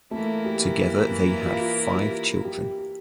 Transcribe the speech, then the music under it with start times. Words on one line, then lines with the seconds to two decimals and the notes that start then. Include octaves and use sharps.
Together they have five children.
0.11 E3 A3 A#3 E4 A#4
0.45 G4
1.41 G4
1.45 F4
1.61 F4
1.77 F4
1.94 G4
2.11 F4
2.45 G4
2.78 G4